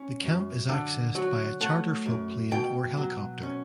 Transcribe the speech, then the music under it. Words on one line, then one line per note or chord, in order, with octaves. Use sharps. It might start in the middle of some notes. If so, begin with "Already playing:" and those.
The camp is accessed via charter float plane or helicopter.
Already playing: C#4
F#2
D3
F#3
A3 F#5
F#2
B2 G5
F#3
C#4